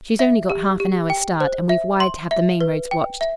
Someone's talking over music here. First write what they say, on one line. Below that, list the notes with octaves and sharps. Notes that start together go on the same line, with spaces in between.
She's only got half an hour's start, and we've wired to have the main roads watched.
E5
G4
G4
G5
C5
E5
C6
E5
B4
G5
E5